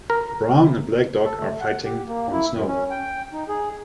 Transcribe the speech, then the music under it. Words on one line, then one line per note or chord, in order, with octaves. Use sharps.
A brown and black dog are fighting on snow.
A#4
A4
A3
F#5
G4
A#3
E4
F#2
C#4
G5
D#4
G#4